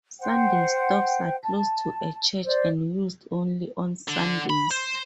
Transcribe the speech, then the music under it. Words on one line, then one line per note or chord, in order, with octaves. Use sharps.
Sunday stops are close to a church and used only on Sundays.
C5 F#5 G5
A5
C5 D5 D#5
D3
B5
C5